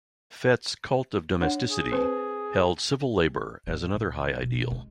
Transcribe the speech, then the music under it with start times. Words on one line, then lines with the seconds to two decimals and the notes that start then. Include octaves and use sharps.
Fet's 'cult of domesticity' held 'civil labour' as another high ideal.
1.41 D4 C#5 F#5
1.71 G#4
1.92 C4 B4 C5
3.67 A2 G3
3.94 A#2
4.39 E1 B2
4.71 G#3